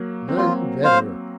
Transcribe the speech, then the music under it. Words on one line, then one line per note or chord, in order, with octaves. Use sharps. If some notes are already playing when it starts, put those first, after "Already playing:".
None better.
Already playing: F#3 A#3
C4
F#3 A#3 F4
C5 F5